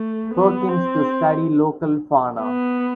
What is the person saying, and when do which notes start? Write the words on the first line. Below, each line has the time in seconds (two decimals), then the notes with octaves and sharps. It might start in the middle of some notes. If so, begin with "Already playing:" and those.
Perkins to study local fauna.
Already playing: A3
0.35 B3
0.69 C4
2.42 B3